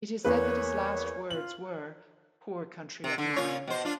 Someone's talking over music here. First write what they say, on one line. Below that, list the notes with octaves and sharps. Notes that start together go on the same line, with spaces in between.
It is said that his last words were "poor country of mine".
E2 A#3 B4 C#5
F4 F#7
C3
D3
A#2 F4 C#5
B2 C5
D4 F4